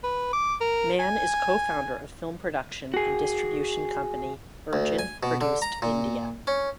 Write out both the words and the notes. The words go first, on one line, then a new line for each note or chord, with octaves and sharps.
Mann is co-founder of film production and distribution company Virgin Produced India.
B4
D6
A#4
G#5
F#4 G#4
D2
G#5
B2
D3
A#5
A#2
C#4